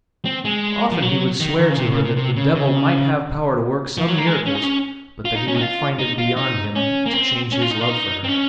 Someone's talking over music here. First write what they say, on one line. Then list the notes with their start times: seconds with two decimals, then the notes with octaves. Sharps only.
Often he would swear to her that the devil might have power to work some miracles, but that he would find it beyond him to change his love for her.
0.25 C4
0.45 G#3
0.92 F3
1.02 F#3
1.40 D#3
1.59 D#3
1.70 C#3
1.78 C3
1.91 C#3
2.04 C3
2.16 C3
2.36 C#3
2.55 C#3
3.98 F3
4.08 F#3
4.18 A#3
4.27 G#3
4.46 C#4
4.54 D#4
4.64 C#4
5.25 F4
5.35 D#4
5.48 C#4
5.55 D#4
5.61 F4
5.99 D#4
6.18 F4
6.36 D#4
6.76 C#4
7.06 A#3
7.13 C4
7.52 C#4
7.61 F4
7.71 D#4
7.81 F4
7.90 D#4
8.24 C4
8.28 C#4